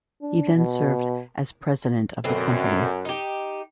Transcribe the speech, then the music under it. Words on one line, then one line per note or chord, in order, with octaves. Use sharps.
He then served as president of the company.
D4
B2
F#2 B2 D3 C4
D#4 G4